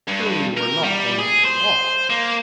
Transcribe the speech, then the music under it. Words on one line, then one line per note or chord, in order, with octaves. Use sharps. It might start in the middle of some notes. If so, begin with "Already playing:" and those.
"Surely you are not going to walk?"
G2
A#4
G3
G#4
C5
A#3